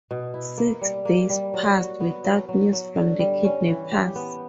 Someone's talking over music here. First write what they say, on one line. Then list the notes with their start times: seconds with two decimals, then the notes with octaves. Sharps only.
Six days passed without news from the kidnappers.
0.11 B2
0.34 E4
0.58 A#3
0.82 G3
1.05 A#3
1.30 G3
1.54 F#3
1.77 F#4
2.00 B3
2.24 F#3
2.49 F#3
2.73 F#3
2.96 D3
3.20 G3
3.45 C#4
3.68 E3
3.92 G4
4.15 B3